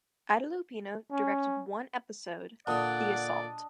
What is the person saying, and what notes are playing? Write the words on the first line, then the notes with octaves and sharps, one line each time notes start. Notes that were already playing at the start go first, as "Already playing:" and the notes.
Ida Lupino directed one episode, "The Assault".
C#4
A#2 D3 D4 D5 D#5 F#5